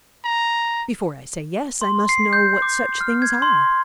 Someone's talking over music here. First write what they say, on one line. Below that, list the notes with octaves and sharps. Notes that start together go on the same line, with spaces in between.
"Before I say yes I must know what such things are."
A#5
C6
C7
G6
D6
F6
G#6
C6